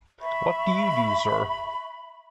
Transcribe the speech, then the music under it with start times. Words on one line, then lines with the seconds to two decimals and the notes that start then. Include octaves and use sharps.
What do you do, sir?
0.20 E5 B5 C#6